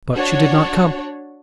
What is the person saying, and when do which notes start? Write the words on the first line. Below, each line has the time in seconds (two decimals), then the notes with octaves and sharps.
But she did not come.
0.15 D4 F#4 C#5